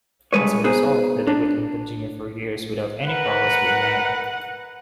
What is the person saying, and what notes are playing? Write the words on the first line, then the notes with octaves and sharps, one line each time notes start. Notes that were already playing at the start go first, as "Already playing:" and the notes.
As a result, the debate can continue for years without any progress being made.
G2 F3 G#3 B4 C#5
B3 D#4 G#4 B4 C5
D4
A#4 B4 F#5